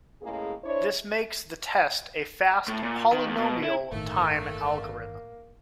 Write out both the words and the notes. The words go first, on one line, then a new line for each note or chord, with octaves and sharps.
This makes the test a fast polynomial-time algorithm.
A2 C#3 G#3 A#3 G#4
D4 E4 C5 C#5
A2
A#2
D#3
E2
B2
E4
G1 A2 D#3 A3 A#3